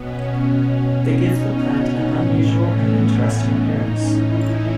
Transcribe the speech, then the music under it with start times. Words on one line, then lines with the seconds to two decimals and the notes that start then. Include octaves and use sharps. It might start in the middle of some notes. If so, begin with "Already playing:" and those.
They give the plant an unusual and interesting appearance.
Already playing: B2 B3 C#4
0.28 C#4
0.64 B2
1.00 D#4
1.36 B3
1.72 B3
2.08 A2 E3 C#4
2.44 A3
2.80 B3
3.16 B3
3.51 A2 E3 D#4
3.88 C#4
4.24 E4